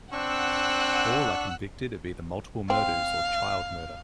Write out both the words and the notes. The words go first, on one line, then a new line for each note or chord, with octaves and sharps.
All are convicted of either multiple murders or child murder.
C4 D4 F#5 C#6 E6 F#6
C4 F5